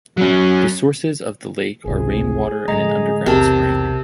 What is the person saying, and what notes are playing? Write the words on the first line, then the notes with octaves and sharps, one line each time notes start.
The sources of the lake are rain water and an underground spring.
F#3 C#4
G#1 C#2 C3 G#4
A2 D3 G#3 D#5 A#5
B1 E2 C3 A#4 A5